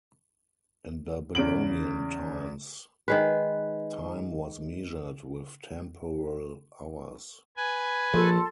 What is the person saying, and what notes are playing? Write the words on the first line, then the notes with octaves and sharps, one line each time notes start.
In Babylonian times, time was measured with temporal hours.
E2 C#3 D7 F#7
D#3 G#3 B4
B4 G#5
A#1 F3 A4 C6